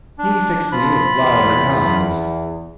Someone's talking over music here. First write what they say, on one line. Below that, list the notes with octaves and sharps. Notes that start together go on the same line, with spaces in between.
He fixed me with lowering eyes.
D4
F3 F4 B5
E2